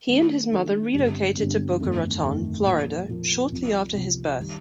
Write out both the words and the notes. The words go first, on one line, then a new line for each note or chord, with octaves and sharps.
He and his mother relocated to Boca Raton, Florida shortly after his birth.
D#3 A3 D4 A4
D#3 A3 D4 A4
G1 G2 D3 G3 C4
G1 G2 D3 G3 C4
G1 F2 D#3 A3
G1 F2 D#3 A3
A#2 F3 A#3
A#2 F3 A#3
C2 C3 F3
C2 C3 F3
D#3 G3